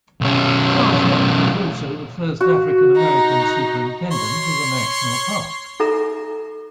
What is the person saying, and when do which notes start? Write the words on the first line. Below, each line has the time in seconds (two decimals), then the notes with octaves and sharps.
Charles Young was also the first African American superintendent of a national park.
0.21 B1 C#4
2.40 F#4
2.96 D#4
4.11 C#5 C6
5.80 D#4 A4 E5 A#5